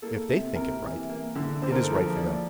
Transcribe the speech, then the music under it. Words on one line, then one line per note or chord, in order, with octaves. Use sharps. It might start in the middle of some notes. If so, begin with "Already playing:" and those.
If they think it right, it is right for them.
A#3 A4
C3
C3 A#4
E3
A#3
D3
D3 C5
A#4
A4
F3 A#4
A#3 D5